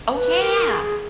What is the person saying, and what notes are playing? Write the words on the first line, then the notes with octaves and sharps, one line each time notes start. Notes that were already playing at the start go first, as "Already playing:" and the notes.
Oh, yeah.
B4
A#4
G#4